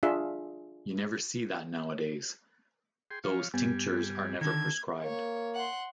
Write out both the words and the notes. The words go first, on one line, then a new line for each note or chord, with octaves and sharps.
You never see that nowadays; those tinctures are never prescribed.
D4 F4 G#4 E5
G#4 G5 C6
F3 C#5 F5
G2 G3 B3 G#5
D3 D#3 G#6
A#3 C#5
F#5 C6